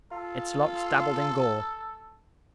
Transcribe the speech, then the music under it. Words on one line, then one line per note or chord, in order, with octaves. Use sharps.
Its locks dabbled in gore.
F4 A4